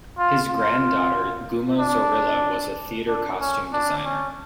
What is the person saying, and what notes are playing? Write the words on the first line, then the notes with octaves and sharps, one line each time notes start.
His granddaughter Guma Zorrilla was a theater costume designer.
F4
F4
D4
D4
C#4
D4
C#4